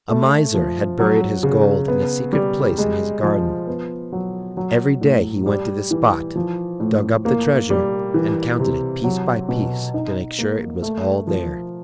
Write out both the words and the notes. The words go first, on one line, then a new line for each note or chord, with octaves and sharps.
A Miser had buried his gold in a secret place in his garden. Every day he went to the spot, dug up the treasure and counted it piece by piece to make sure it was all there.
A3
F3
F#3
C#3
B3
G3
G#3
F3
B3
F#3
F#3
A2
G3
E3
F3
A2
A#3
G3
E3
C3
F#3
B2
D#4
A#3
A3
F3